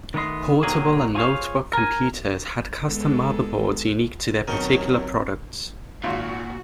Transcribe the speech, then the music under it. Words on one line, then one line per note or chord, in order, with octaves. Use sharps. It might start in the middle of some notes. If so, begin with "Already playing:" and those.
Portable and notebook computers had custom motherboards unique to their particular products.
D#3 A3 B3 D#5 C6
B1 A#2 D#3 F#3 A#3 G#4
F4 G#4 C5 C#5 F5
A#4 G#5
G#3 B3 A4
B2 D#3 F#3 C4 A#4 G5 C#6
G#1 A#2 F4 F#4